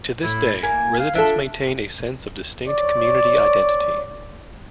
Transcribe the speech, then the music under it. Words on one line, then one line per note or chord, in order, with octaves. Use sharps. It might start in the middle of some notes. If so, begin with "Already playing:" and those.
To this day, residents maintain a sense of distinct community identity.
A2 E4
A#3 E4 G#5
F5
D4 F4 A4 E5
C#5 D5